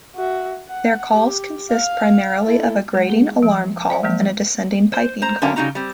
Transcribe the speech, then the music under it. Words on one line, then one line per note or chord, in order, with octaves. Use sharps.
Their calls consist primarily of a grating alarm call and a descending piping call.
F#4 E5
F#5
G4
F5
E4 A4
G#3 F#5
G#4
F3
C5 D5 E5
F3 F#3 G#3 A#3
C5
C5 A#5
D3 F#3 A#3 C#4
C#3 G3 D#4 F#4 A#5
G3 C4